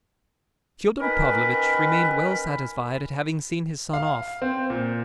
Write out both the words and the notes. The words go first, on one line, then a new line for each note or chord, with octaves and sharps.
Fyodor Pavlovitch remained well satisfied at having seen his son off.
D#3 C#4 A#4 B4
F5
C4
A#2